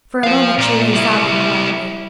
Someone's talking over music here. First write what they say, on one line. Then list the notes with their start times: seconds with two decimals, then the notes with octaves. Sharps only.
For a moment she lay sobbing quietly.
0.24 C5 F5
0.58 A#2
0.93 G3 E4